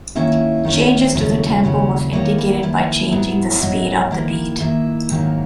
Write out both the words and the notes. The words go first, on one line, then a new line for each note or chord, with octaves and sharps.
Changes to the tempo are indicated by changing the speed of the beat.
D#3 A#3 C#4 E4 E5
D#3 A#3 C#4 E4
D#2 C#3 F#3 C#4 E4
D#2 C#3 F#3 C#4 E4
D#3 A#3 E4 C#5
B4
D#3 A#3 E4
G#2 F#3 B3 E4
G#2 F#3 B3 E4 D#5
D#3 A#3 E4
D#3 A#3 E4 E5
G#2 D#3 F#3 A#3